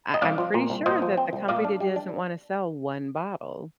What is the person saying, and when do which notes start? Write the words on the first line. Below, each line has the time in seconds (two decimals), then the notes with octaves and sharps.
I I'm pretty sure that the company doesn't wanna sell one bottle.
0.14 D#5
0.22 C2 D5 F5
0.38 F3
0.54 A#2
0.70 C2
0.86 A#2 C5 D#5
1.02 F3
1.17 C4
1.33 C2
1.48 A#2 D5 F5
1.64 D4
1.80 G3
1.96 D4